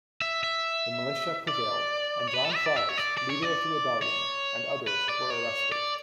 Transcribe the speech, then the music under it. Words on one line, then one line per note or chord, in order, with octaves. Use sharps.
The militia prevailed, and John Fries, leader of the rebellion, and others were arrested.
E5
E5
D5
C#5
B4
A4
E5
D5
E5
C#5
D5
D5
C#5
D5
C#5
B4
D5
C#5
D5